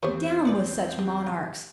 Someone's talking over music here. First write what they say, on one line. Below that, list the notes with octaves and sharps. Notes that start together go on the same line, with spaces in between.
Down with such monarchs!
E2 E3 C4 G4 C5 C#5
B4 D5 F#5
G4
F4